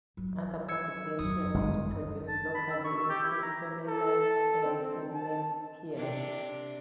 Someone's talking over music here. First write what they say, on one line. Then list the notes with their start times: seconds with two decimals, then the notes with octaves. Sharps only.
Other publications produced locally include "Family Life" and "In Nepean".
0.17 F#3
0.69 E6 G#6 C#7
1.19 F#2 D#6
1.54 G1 G#3
2.28 A5
2.55 B5
2.71 E6
2.84 C#6
2.97 E6
3.10 G4
3.24 E4
3.43 A#5
3.87 A4
4.64 C4
5.14 A5
5.96 C3 D4